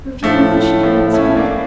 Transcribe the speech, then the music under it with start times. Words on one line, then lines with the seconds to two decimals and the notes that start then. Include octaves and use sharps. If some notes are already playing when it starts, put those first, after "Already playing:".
For a few moments she could not speak.
0.23 A2 F3 A3
0.83 F3 A3
1.14 C#4 E4
1.36 A#3 D4